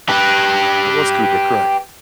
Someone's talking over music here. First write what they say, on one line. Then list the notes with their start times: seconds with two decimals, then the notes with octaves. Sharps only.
That was Kubrick, correct.
0.09 G4 B4